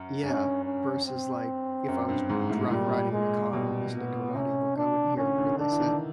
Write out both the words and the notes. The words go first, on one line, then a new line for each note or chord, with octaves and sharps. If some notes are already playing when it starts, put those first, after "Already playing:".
yeah, versus, like, if I was dri riding in the car and listening to an audiobook, I wouldn't hear a word they said.
Already playing: F#2
G2 C#4
C#4
C4
F#2
G2
G#2
A2
A#2 G3
G#3
B2 G3
B3
C3 C#4
D4
D3 C#4
D3
D#3
D3 D4
E3
D#3